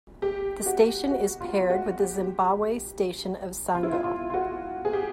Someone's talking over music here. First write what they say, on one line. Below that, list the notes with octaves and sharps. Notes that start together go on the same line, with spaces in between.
The station is paired with the Zimbabwe station of Sango.
G4
F#4
F#4
F4
F#4
G4
F4
E4
F4
F4
F4
F#4
G#4
G4